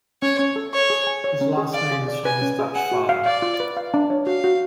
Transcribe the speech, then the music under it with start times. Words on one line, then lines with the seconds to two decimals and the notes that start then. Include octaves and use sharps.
His last name is from his Dutch father.
0.22 C#4 C#5
0.39 C#4
0.56 A4
0.73 C#5 C#6
0.90 G#4
1.07 G#5
1.24 C#5
1.41 C#4
1.57 G#4
1.74 D5 F5
1.91 G#4
2.08 D5
2.25 B4 G#5
2.42 C#4
2.59 G#4
2.75 F#5 G#5
2.92 F#4
3.09 F5
3.26 D5 F5
3.42 F4
3.60 B4
3.77 F5
3.94 D4
4.10 C#5
4.26 F#4 F5
4.44 F#4